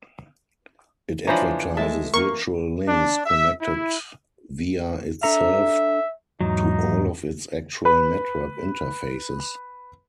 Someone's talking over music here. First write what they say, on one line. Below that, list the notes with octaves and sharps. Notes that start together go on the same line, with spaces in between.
It advertises virtual links connected via itself to all of its actual network interfaces.
E3 F3 D4 C5 C#5 A#5 B5
G#3 A3 E5 A5
A#3 A#4 C#6
D4
E5
E4
D4 A4 E5 A#5
E2 G#2 F#3 D#4
B4 B5